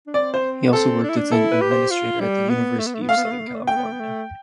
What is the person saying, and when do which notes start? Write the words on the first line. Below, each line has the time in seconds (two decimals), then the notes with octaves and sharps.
He also worked as an administrator at the University of Southern California.
0.07 D4
0.14 C4 D5
0.34 C5
0.68 B3
0.73 C4 A4
1.03 D4
1.09 E4
1.17 D4
1.32 E4 A4
1.52 B4
1.61 G4
1.71 C5
1.91 F4
2.20 G3
2.50 B3
2.79 A3
2.86 B3
2.94 A3
3.02 B3
3.09 A3 F5
3.17 B3
3.24 A3
3.31 B3
3.39 A3
3.47 B3
3.54 A3
3.62 B3
3.67 A3 G5
3.76 B3
3.84 A3
3.92 B3
3.99 A3